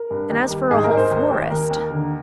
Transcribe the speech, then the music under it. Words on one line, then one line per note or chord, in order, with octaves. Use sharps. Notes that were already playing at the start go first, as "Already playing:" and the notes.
And as for a whole forest--!
Already playing: A#4
G2
D#2
G3
G#2 G#4
A#4
G#2
C5
D#2
D#2
D#2 A#4
D#2
D3